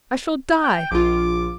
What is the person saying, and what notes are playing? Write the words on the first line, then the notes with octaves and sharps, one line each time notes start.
I shall die!
G5
A#1 F4 D6